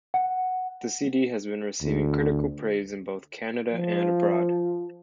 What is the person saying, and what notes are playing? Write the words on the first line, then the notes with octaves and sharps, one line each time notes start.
The CD has been receiving critical praise both in Canada and abroad.
F#5
D2
F3